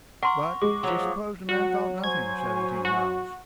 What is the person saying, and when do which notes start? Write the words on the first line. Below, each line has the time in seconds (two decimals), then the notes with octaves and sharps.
But she supposed a man thought nothing of seventeen miles.
0.23 A#4 F#5 C6 C#6
0.62 G#3 D6
0.83 F3 F#3
1.49 F#3 F#4 F#5
2.04 C5 G#5 C#6 G#6
2.85 F#4